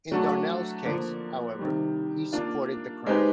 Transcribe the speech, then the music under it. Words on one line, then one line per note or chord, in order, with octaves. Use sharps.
In Darnell's Case, however, he supported the Crown.
F#3 A3 D4 F#4 A4
D3 F3 A#3
C3 D#3 G3
A#3 D4 F4
G#3 C4 D#4 G4 B4